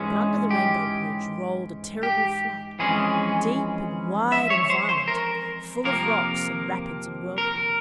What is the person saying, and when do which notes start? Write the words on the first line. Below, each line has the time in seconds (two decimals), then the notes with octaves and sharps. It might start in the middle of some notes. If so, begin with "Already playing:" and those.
But under the Rainbow Bridge rolled a terrible flood, deep and wide and violent, full of rocks and rapids and whirlpools.
Already playing: G#2 E3 G#3 C#4
0.51 G4
2.03 G4
2.79 F2 E3 G#3 C#4 G#4
4.32 E5
4.50 C#5
4.70 C5
4.89 C5
5.08 A#4
5.84 F2 C3 F3 A#3 A#4
7.38 A#4